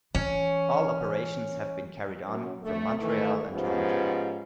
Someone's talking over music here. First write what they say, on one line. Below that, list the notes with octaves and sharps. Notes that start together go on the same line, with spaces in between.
All operations have been carried on from Montreal and Toronto.
E3 C#4
F#2
D2 A3
D#3 E3 A3
G#2 F3 B3 C#4 G4